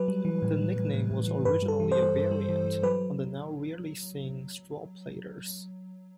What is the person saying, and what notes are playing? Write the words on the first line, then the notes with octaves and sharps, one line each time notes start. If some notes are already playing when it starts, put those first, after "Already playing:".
The nickname was originally a variant on the now rarely seen straw-plaiters.
Already playing: F#3 B4
G3
E3
A2
G3
A2
A2
A2
E3
G2 B4
G3
A4
E3
C5
G3
G2
G3
E3
E3
F#3 B4